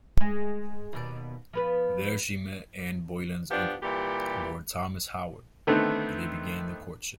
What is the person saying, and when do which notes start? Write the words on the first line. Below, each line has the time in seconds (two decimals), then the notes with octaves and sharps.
There she met Anne Boleyn's uncle, Lord Thomas Howard, and they began their courtship.
0.20 G#3
0.93 D#2 B2 D5
1.53 F3 B3 B4
3.50 F3 B3 D4 G4
3.82 A#2 E3 G3 G4
5.67 D3 D#3 A3 B3 C4